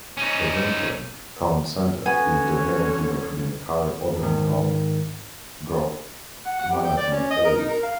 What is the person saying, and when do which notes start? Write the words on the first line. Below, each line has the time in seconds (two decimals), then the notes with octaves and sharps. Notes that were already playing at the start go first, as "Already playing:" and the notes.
Odenton Town Center is the name given to the entire Odenton Growth Management Area.
0.17 C#4 D#4
2.06 D3 B3 C#4 F#4 G#5
4.21 G#2 D#3
6.46 F#5
6.59 F#5
6.71 G4
6.85 G5
6.97 D5
7.12 C#4
7.31 D#5
7.45 A#4
7.58 D#4
7.69 A#4
7.83 F5